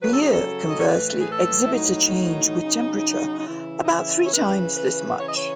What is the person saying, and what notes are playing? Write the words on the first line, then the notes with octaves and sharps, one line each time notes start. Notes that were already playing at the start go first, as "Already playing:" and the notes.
Beer, conversely, exhibits a change with temperature about three times this much.
C#3 F#3 B4
A4
G#4
A4
D#5
C#5
A2 E3 B4
G#4
A4
E4
A2 F#3 D#4
C#3 F#3
D#4
C#3 E3 E4
D#4
E4
C#5
C#3 E3 B4
B4
C#3 E3 C#5
D#5
C#5